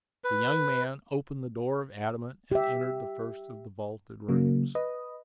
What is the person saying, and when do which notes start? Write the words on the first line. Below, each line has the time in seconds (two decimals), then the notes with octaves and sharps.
The young man opened the door of adamant and entered the first of the vaulted rooms.
0.24 B4
2.52 G4 E5
4.29 C#3 F#3 A#3
4.75 B4 D#5